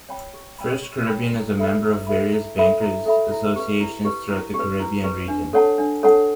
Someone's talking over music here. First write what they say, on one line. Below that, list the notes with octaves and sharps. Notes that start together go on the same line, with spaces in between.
FirstCaribbean is a member of various Bankers Associations throughout the Caribbean region.
C#5 G5 B5
G4
C#5 G5 B5
G4
C#5 G5 B5
E4
A4 E5 B5
E4
A4 E5 B5
E4
A4 E5 B5
E4
A4 E5 B5
E4
G4 B4
E4
G4 B4
E4
G4
B4
E4
G4 B4
D4
A4 C#5 F#5 A5
D4
A4 C#5 F#5 A5